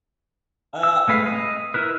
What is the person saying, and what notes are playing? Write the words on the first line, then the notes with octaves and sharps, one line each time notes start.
Uh, I think
E6
G#3 A3 B4 F5
D#5
E4 A#4 B4